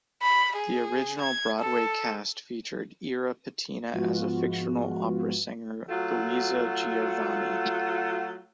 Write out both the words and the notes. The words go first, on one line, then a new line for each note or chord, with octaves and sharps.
The original Broadway cast featured Irra Petina as a fictional opera singer Louisa Giovanni.
B5
G#4
G#6
A4
G#2 F3 G#3 B3 F4 F#4
F#3 A3 F4 F#4